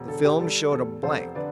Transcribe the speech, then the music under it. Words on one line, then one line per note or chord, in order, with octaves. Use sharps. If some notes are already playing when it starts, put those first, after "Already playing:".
The film showed a blank.
Already playing: E1
D3 A4
G4
G3 A4
E2 A4
F1 A4 C5
D3 B4 D5